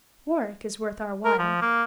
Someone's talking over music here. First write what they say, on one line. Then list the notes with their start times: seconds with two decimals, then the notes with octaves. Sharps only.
Warwick is worth our while.
1.25 A#4
1.38 F3
1.62 A#3